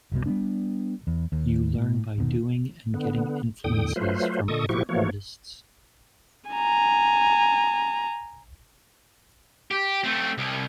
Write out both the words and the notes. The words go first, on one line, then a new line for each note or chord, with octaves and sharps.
You learn by doing and getting influences from other artists.
F#1 C2 B2
G3 A3 B3 D4
E2
D#2
A2
D#1 B2 D#3
D3 B3
E2 A2 D3 G5 D#6
F#3 A3 F4 B4 C5
A#2 D3 A4 D#5 C#6 D#6
A2 F3 E4 F#4 G4 C#6
E3 F3 A3 A#3 F#4 C#5
G#5 A#5
G4
A3 C4
C2